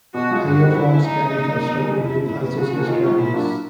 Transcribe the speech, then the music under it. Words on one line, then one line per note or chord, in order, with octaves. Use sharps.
Higher forms can be constructed with isosceles triangles.
B2 F#4
G#3 C#4 F4
G2 F#4
D#3 G3 C4
C#3 E4
E3 A3 C#4
C#3 D#4
E3 A3
A#2
F#3 A#3
B2
G3 A#3 C#4
F2 E4
C#3 F3
A2 E4
F#3 B3
C#3 F#4
F3 A#3 C#4
D#3 F4
G#3 C4 D#4 F#4
A#2 E4
F#3 A#3 D4 F4